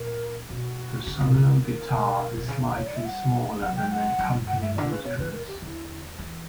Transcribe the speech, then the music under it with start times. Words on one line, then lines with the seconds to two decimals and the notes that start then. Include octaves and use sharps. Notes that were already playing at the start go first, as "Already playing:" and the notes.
The solo guitar is slightly smaller than the accompanying instruments.
Already playing: A#2 A#4
0.49 B2 F#4
1.07 C#3
1.21 B2
1.35 D3
1.63 A#4
1.91 B2
2.37 B2
2.48 C#3
2.62 D3
2.77 G3 C#5
2.87 D5
2.96 E5
3.05 F#5
3.62 F#3 F#5
3.76 G5
3.91 F#5
4.19 F#3
4.33 G2
4.48 F#5
4.62 E5
4.76 D3 D5
4.90 C#3 B4
5.05 B2 C#5
5.19 C#3 B4
5.33 A#4
5.47 G4
5.61 D3 E4
6.19 E3